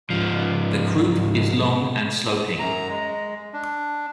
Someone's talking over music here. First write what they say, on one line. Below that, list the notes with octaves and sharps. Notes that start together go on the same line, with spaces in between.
The croup is long and sloping.
G#2 F3
F#2 A#5
G#3
D4